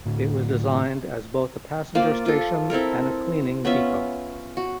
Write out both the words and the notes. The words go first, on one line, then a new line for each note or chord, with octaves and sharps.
It was designed as both a passenger station and a cleaning depot.
A2 D3
A#3 F4 C5 D5
F4 A4
C4 E4 A4 A#4
B3 C#4 F4 E5
F#4